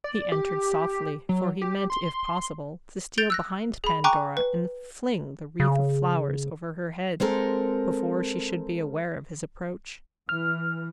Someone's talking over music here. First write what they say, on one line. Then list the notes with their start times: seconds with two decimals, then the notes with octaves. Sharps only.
He entered softly, for he meant, if possible, to steal behind Pandora, and fling the wreath of flowers over her head, before she should be aware of his approach.
0.04 D5
0.32 G4
1.29 F#3
1.62 G4
1.90 C6
3.18 G6 A6 D7 F7 G7
3.30 E6 F#6 A#6
3.84 G#4 B5
4.04 G5 G#5 A#5 C#6 D6 F#6
4.37 B4
5.60 C#3
7.20 G#3 C4 A4 A#4
10.29 E3 F6